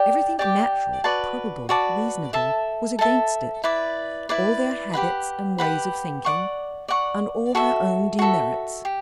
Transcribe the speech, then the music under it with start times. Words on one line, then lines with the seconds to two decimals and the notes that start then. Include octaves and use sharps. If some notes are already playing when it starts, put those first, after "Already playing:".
Everything natural, probable, reasonable, was against it; all their habits and ways of thinking, and all her own demerits.
Already playing: G4 D5 G5
0.39 G4 D5 G5 D6
1.04 F#4 B4 D5 A5
1.69 F#4 B4 D5 A5
2.33 A4 E5 A5
2.99 A4 E5 A5
3.64 E4 B4 D5
4.29 E4 B4 D5
4.93 G4 B4 F#5 B5
5.58 G4 B4 F#5 B5
6.25 D5 F#5 C#6
6.88 D5 F#5 C#6
7.55 F#4 A4 E5
8.19 F#4 A4 E5
8.85 G4